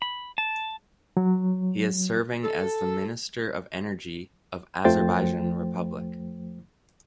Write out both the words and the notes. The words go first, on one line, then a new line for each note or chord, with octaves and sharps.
He is serving as the Minister of Energy of Azerbaijan Republic.
B5
A5
F#3
A4
F2 F3 A3 C5 G5 A6